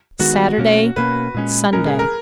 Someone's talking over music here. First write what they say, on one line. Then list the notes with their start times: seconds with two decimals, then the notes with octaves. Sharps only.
Saturday, Sunday.
0.19 D#3 G#3 B3 F#4
0.58 B2 A#3 C#4
0.96 B2 A#3 C#4 B4
1.35 A#2 G#3 C#4
1.73 A#2 G#3 C#4 A#4
1.86 G#4
1.99 A#4